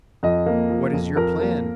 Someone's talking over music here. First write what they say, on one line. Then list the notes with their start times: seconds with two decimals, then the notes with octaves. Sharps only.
"What is your plan?"
0.23 F2 D#5
0.46 A#3
0.70 F3
0.93 F2
1.16 F2 A#4
1.40 A#3